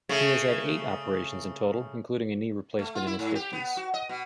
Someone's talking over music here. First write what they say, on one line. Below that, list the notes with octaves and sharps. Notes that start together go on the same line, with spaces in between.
He has had eight operations in total, including a knee replacement in his fifties.
C#3 A3
A3
F4
E4
G#2
G4
B3
F#4
D#5
B2